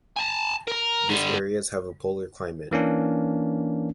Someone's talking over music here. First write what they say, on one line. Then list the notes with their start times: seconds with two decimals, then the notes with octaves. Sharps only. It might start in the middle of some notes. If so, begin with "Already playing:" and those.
These areas have a polar climate.
0.16 G#5 A5
0.67 A#4 A#5
1.09 D3 G3
2.71 E3 A#3 C#4 D4